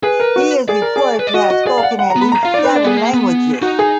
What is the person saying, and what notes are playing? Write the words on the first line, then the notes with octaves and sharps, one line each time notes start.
He is reported to have spoken "at least seven languages".
G#4 B4
A#4
F#4
G#4 D5
A#4
G#4
B4
D5
F#4 D#5
F#4 D#5
G#4 D5
F5
F#5
F#5
A#5
B3
B5
A#5
F4 F5
D#4 D5
B4
D4 D5
B3 G#4
A#3
B3
D#4 F#4
G#4